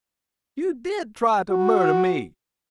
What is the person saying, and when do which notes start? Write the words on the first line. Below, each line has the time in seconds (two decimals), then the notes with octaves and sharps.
"You did try to murder me!"
1.51 F#4